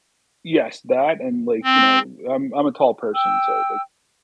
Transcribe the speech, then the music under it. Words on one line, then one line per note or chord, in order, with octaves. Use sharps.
Yes, that and like, you know, I'm I'm a tall person, so like,
C4
G5 E6